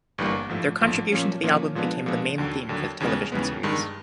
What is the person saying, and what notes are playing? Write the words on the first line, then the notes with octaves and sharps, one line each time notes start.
Their contribution to the album became the main theme for the television series.
G1 G2 E3 G3 A#3
A1 G#2 F3 A3
A1 G#2 F3 A3
A#2 F3 A#3 C#4
A#2 F3 A#3 C#4
A#2 F3 G#3 B3 D4
A#2 F3 G#3 B3 D4
D#2 D3 F#3
D#2 D3 F#3
D#2 C#3 E3 G#3 B3
D#2 C#3 E3 G#3 B3
G2 D#3 G#3